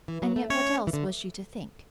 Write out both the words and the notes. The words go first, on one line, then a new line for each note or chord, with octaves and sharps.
And yet what else was she to think?
E3
F#3
A3
C#4 C#5
E3
D3